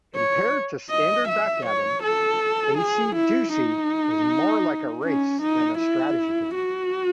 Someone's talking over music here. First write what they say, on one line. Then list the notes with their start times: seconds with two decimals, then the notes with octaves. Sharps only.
Compared to standard backgammon, acey-deucey is more like a race than a strategy game.
0.15 C#5
0.90 D#5
1.28 E5
1.66 C#5
2.03 A4
2.78 G#4
3.15 E4
3.53 D#4
5.04 C#4
5.41 D#4
5.78 E4
6.54 F#4